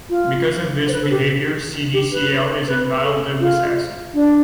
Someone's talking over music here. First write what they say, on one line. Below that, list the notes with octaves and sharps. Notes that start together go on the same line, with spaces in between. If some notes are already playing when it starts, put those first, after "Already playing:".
Because of this behavior, CdCl is a mild Lewis acid.
F4
C5
B4
A4
G4
G4
B4
B4
A4
F4
D4